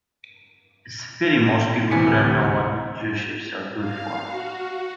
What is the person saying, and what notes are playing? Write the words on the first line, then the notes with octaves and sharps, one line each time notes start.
It's a pity most people do not know what gearshifts are good for.
D2 C3 E3 G#5 B6 C#7
F5
F#4